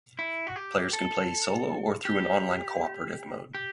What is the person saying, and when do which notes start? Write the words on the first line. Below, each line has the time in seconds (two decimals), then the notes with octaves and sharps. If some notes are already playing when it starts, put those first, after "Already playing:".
Players can play solo or through an online cooperative mode.
0.19 E4
0.47 F#4
0.56 G4
0.93 A4
2.05 G4
3.55 G4